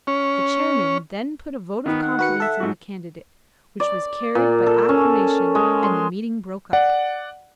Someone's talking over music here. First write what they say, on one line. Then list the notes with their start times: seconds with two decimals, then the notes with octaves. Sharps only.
The chairman then put a vote of confidence in the candidate, which was carried by acclamation, and the meeting broke up.
0.07 C#4
1.86 D#3 B3
2.02 F#5
2.19 F#4 B4 C#7
2.40 A4 E5
2.60 G#2 F#4
3.80 D5
4.35 A#2
4.66 A4
4.89 C#4
5.55 G#3
5.83 C6
6.73 D5 F#5